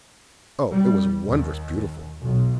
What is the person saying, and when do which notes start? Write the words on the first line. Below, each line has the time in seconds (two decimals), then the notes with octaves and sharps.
Oh, it was wondrous beautiful!
0.70 G3
1.25 D#2
2.21 B1